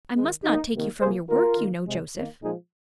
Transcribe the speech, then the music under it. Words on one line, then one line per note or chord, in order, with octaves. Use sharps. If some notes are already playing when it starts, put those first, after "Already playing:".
"I must not take you from your work, you know, Joseph."
D#3 G#3
D#3 A#3 D#4
C3 D#3 A#3
C3 F3 A#3 G#4 C5
D#3 A#3 F4 A#4
D#3 A#3
C3 G#3
D#3 A#3
A#2 F3 G#3 D#4 G#4